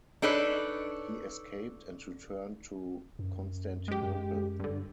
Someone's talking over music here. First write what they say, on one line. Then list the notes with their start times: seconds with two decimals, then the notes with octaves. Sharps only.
He escaped and returned to Constantinople.
0.22 D4 D#4 A4 B4 C#5
3.19 F#2
3.88 G#3 G4
4.02 F#2
4.60 G2 D3